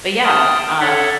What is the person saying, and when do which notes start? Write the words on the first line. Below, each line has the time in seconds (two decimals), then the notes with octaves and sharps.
But yeah, um
0.24 G5 A5 C6 D#6 F6
0.80 A4 C#5 D5 E5 F#5